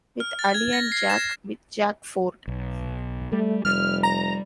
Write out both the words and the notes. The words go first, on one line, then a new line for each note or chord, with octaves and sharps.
With Ali and Jack, with Jack Ford.
F6
A6
G#6
A#6
C7
E7
B1
G3 A3
F1 G3 F6
A#5